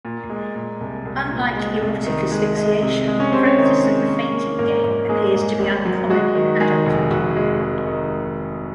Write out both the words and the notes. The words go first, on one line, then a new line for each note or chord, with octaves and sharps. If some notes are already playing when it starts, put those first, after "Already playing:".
Unlike erotic asphyxiation, practice of the fainting game appears to be uncommon in adulthood.
A#2
G#3
A#2
C2
C2
A#2
G#3
C2
D#3
G#3
G#3
C3
G#3
C#4 C#5
C3 C4 C5
C#4 C#5
D#3
G#3
A#3
A#3
G#2 A#3 A#4
G#2
G#3 A#3 G#4
G#2
G#1
F#3
G#3 F#4
D#3
D#3 G#3 G#4
F1
F1 F#4
G#3
G#3
D#3